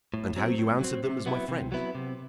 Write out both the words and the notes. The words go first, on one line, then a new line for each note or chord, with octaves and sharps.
"And how you answered them as my friend."
A2
F#3 C4
A2
F#3 C4
C3
F#3 B3 E4
C3
F#3 B3 E4
C3